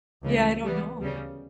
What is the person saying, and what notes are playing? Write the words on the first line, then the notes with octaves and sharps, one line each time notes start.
Yeah, I don't know.
C#2 C#3 E3
E3 G3 B3
D2 C#3 G3